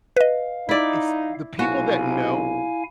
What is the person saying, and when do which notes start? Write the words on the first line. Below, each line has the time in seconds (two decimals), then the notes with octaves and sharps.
it's the people that know,
0.17 B4 D#5 F5
0.69 D#4 E4 D5
1.59 B1 C3 E4 F#4 F5 G#5